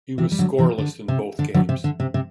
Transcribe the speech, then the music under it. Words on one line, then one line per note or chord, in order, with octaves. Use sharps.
He was scoreless in both games.
C3 E3
G3
D3 F#3
C3 E3
D3
C3
D3
D3 F#3
C3
D3
C3
C3